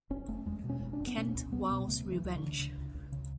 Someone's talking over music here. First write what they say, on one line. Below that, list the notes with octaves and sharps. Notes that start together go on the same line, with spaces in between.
Kent vows revenge.
F#1 C#4
F#1 A3
E2 G#3
B2
C#4
F#1
D4
F#1
B3
B2 C#4
C#2
C#2 B3
B2
C#3 A3
C#2
E3
C#2
D3
C#3
C#3
C#2
C#2
C#3